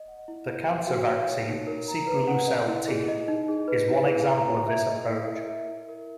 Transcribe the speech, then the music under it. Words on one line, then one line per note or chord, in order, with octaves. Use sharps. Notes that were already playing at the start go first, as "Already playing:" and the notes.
The cancer vaccine Sipuleucel-T is one example of this approach.
Already playing: D#5
F#5
E4
B4
F#5
F#4
C#5
C#5
D#4
A#4
A#5
B4
F#5
D#5
E4
G#4
D#5
D#4
G#4
B4
E4
G#4
A#5
C#5
E5
D#5
E4
A#4
E5
E4
A#4